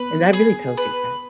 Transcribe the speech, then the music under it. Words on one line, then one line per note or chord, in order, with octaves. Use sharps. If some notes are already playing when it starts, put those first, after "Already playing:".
and that really tells you that
Already playing: B3 B4
G#4
B4